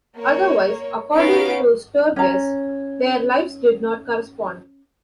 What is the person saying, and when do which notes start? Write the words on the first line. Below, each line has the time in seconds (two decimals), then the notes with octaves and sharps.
Otherwise, according to Sturges, their lives did not correspond.
0.16 A#3 C#5
1.15 B3 C#4 D#4 F5 D7
2.16 C#4 A#5